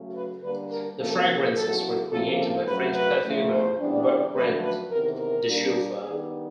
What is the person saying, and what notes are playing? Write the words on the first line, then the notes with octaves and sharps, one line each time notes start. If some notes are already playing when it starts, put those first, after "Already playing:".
The fragrances were created by French perfumer Bertrand Duchaufour.
Already playing: C#3 F#3 A3 C#4
B4
D3 G3 A#3 D4 B4
A#4
C3 F3 A#3 C#4 A4
E2 C#3 F#3 A4
C3 F3 A#3 C#4 A4
A4
F#2 C#3 F#3 A3 B4
B4
E2 C#3 F3 A3
C5
C#3 E3 G3 B3 D4
C5
F#2 D3 F3 A3 B4
B4
E2 C3 D#3 A#4
A#4
A#2 G3 A#3 D4
G2 D#3 G3 B3 D4 G#4